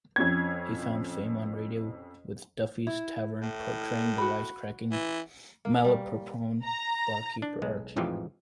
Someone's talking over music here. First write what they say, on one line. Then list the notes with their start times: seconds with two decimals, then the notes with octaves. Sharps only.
He found fame on radio with "Duffy's Tavern", portraying the wisecracking, malaprop-prone barkeeper Archie.
0.16 F2 C#4 G#6
2.87 E4
3.42 A2
4.18 F#4 B5
4.92 E3
5.65 A#3
5.85 G3
6.64 A#5
7.42 D4
7.62 B1 G#3
7.96 A1 F2 G#2 E3 F3 G4